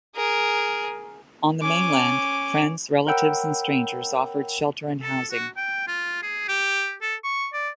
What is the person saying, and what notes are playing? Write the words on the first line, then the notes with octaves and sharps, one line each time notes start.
On the mainland, friends, relatives and strangers offered shelter and housing.
G#4 A#4
C#4 D6
A#4 C#5 F#5 G5 B5 E6
A4
F#4
G5
F4
G#4
G4
A4
C#6
D5